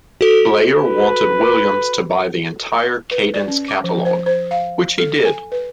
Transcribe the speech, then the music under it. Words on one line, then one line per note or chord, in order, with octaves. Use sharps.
Bleyer wanted Williams to buy the entire Cadence catalogue, which he did.
F#4 A4
B4
B4
D5
C#4
D6
F3
C5
C5
F5
A4
G#5
B4